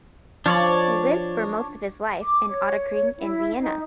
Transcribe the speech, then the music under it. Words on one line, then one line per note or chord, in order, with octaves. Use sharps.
He lived for most of his life in Ottakring in Vienna.
F3 D4 C#5 D5
D6
C#5
E4
D#4